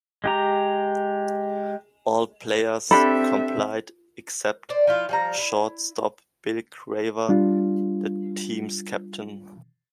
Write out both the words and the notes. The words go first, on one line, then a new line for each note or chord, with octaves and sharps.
All players complied except shortstop Bill Craver, the team's captain.
G#3 G4 A#5
C4 D4 G4 A4 E5 B5
C5 D5
F3 E4 F4
F3 G3 A#5
E4
G3 D4 F4